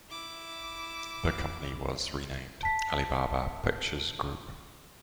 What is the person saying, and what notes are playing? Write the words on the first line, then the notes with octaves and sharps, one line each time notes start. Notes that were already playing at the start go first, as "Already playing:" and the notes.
The company was renamed Alibaba Pictures Group.
E4 D6
A5 B6